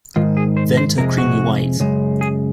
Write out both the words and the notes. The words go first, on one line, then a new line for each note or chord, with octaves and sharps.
Venter creamy white.
G#2 D#3 G#3 F4
G#4
C5
C5
F2 C3 G#3 A#4
F#4
F#2 C#3 G#3
G#4